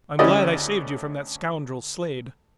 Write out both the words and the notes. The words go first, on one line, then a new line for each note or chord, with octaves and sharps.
I'm glad I saved you from that scoundrel, Slade.
D2 C#4 E4 G4 D5 D#5